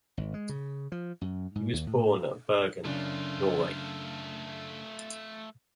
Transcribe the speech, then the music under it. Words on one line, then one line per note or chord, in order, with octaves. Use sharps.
He was born at Bergen, Norway.
G#1
G#3
C#3
F3
F#2
G#2
D#2
A2
F#2 C#3 A3 D4 F4